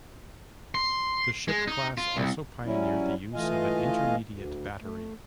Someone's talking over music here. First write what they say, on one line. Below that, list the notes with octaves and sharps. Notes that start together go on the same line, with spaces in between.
The ship class also pioneered the use of an intermediate battery.
C6
G#3
D#4
F4
C2
F#3 G3 C#4 E4
E3 A3 F4 D#5 F5 G#5
D2
A3